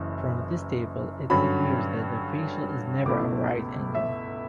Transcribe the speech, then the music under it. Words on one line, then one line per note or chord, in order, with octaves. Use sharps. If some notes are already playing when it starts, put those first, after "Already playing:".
From this table it appears that the facial is never a right angle.
Already playing: F#1 F#2 E3
G2 D3 F#3 C#4 B5
C#2 B2 A3 E4 D6
E5